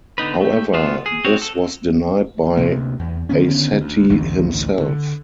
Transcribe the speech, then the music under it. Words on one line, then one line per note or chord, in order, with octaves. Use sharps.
However, this was denied by Aisatti, himself.
D3 B3 D#4 B4
A3 G4
A3 B3 F4 C5
G#4
C4 F#4 C#5
A4
D2 C3 A#3
E2
D3 D#3 B3 C#4
D2
A1 D2 G2 E3
D3